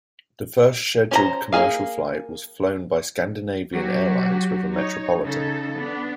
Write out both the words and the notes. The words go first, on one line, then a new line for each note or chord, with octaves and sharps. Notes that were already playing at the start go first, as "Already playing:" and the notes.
The first scheduled commercial flight was flown by Scandinavian Airlines with a Metropolitan.
C#4 C5 A#5
A#3 E4 G#4 F5
F#3 F#4 G4
D#4 C#5
C#3 D#4 A4
B3 D4